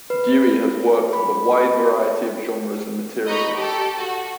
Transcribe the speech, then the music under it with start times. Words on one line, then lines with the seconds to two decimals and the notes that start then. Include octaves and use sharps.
Dewey has worked with a wide variety of genres and materials.
0.10 B4
1.13 B5
3.27 D#5 A#5 B5 C#6
3.56 G4 A4
3.99 F#4